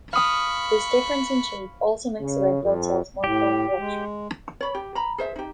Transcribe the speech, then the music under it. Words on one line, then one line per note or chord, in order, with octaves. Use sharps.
This difference in shape also makes the red blood cells more prone to rupture.
F5 B5 C#6 D#6
C#3
F2
A2 G4
G#3
C#5 B5
G4
A#5 B5
G#4 C5 E5
D#4 G4